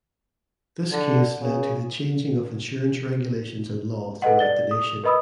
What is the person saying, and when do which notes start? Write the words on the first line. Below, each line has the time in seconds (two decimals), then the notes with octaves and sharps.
This case led to the changing of insurance regulations and law throughout the nation.
0.92 D3
1.41 C#3
4.22 A4 B4 D#5 F#5
4.39 D5 A6 G7
4.71 D#6
5.04 A#4 B4 D#5 B5 D#6 E6